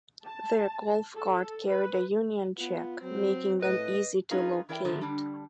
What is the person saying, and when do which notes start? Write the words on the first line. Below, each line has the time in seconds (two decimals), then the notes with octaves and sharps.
Their golf cart carried a Union Jack, making them easy to locate.
0.24 A5
1.14 A4
1.67 B4
2.58 B3 F4
3.02 F#3 C4
3.62 A2 B4 D#5
4.31 C#4 D#4 F4 G#4 B4
4.69 E3 E4 A#4 D5 F#5 G5
4.85 A2 D3 D#3 F3 F#3 A3
5.01 D3 G3 D4